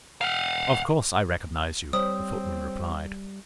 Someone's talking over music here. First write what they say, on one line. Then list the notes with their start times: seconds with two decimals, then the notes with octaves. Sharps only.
"Of course I recognise you," the footman replied.
0.21 F5 F#5
1.93 G3 C4 C5 C#5 D#6